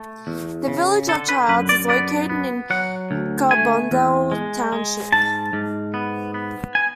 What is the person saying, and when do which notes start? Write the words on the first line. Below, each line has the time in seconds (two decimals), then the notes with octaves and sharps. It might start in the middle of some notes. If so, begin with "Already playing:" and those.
The village of Childs is located in Carbondale township.
Already playing: A3
0.27 E2
0.68 C#3
1.08 D3 A4
1.29 B4
1.48 F#2 B4
1.69 D5
1.89 B3 D5
2.29 B3
2.70 F#3 F#5
3.11 D2
3.51 A3 G#5
3.91 E2
4.32 G#3
4.73 G#3
5.12 G#2 A5
5.53 G#2
5.94 B3
6.34 B3
6.75 G#5